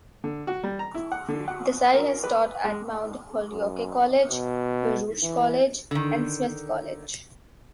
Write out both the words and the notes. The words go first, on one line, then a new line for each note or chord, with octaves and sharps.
Desai has taught at Mount Holyoke College, Baruch College and Smith College.
D3
F#4
G3
A#5
E4
F#5
D3
F#5
A#4
B4
G#3
F#2
B2
E3
D3 D#3